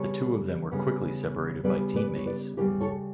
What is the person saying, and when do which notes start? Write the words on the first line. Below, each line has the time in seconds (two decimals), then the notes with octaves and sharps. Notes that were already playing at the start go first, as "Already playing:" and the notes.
The two of them were quickly separated by team-mates.
Already playing: C#3 G3 B3 A4 C#5
0.71 C#3 G3 B3
1.64 C#3 G3 B3 B4 D5
1.96 B4 D5
2.16 C#5
2.26 B4 D5
2.57 C#3 G3 B3 G4 B4
2.81 A4 C#5